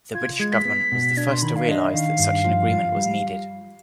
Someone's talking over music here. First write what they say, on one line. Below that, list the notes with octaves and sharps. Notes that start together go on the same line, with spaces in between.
The British Government was the first to realize that such an agreement was needed.
F4 G#6
G#3 G#6
B6
B3
B2
D4 G#6
C6
D#3 B5
F5
D4 D#5
D#3 F5
G2
F3
F4
G3